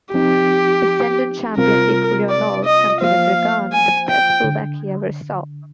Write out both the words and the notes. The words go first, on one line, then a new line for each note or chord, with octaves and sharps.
Essendon champion Dick Reynolds considered Regan the best full-back he ever saw.
F3 C4 D#4 G4
C3 G3 C4 F4 A#4
D5
D#5
F3 A#3 F4 C5 F5
G#5
G5
D3